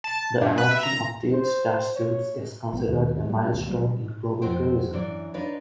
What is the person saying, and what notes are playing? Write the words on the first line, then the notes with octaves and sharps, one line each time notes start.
The adoption of these Statutes is considered a milestone in global tourism.
A5
G2
B4
E5
A#5
C5
C#5
A#1 B2 B3
D#2 G#2 D#3 A3
G3 A#3
C#2 G2 C3 D#3
A#1 F#3 G3 A#3
G3
F2 B2 C4 F#4 C5 G5
F#2 E3 D4 D5
D4 D#4 F4 B4 C#5 D5